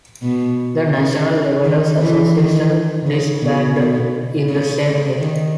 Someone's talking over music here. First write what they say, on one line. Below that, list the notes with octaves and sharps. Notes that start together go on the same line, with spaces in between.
The National Levelers Association disbanded in the same year.
B2
C#3
D#3
E3
D#3
C#3
B2
B2
C#3
C#3
D#3